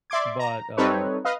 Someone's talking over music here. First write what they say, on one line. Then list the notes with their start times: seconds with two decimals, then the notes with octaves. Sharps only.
But, uh,
0.10 D5 E5 C6 D6 G#6
0.39 A#5
0.77 G3 C4 D#4 A4 B4 C#5
1.25 B4 D#5 F5